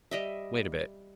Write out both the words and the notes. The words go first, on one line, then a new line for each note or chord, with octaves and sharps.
Wait a bit....
G3 D#5 E5